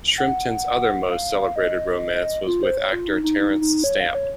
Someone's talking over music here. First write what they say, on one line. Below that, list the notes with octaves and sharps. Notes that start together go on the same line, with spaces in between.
Shrimpton's other most celebrated romance was with actor Terence Stamp.
F#5
F5
D#5
F4
C5
C#5
F4
D#4
D#4
D#4
D#4
C#5
F5
C#5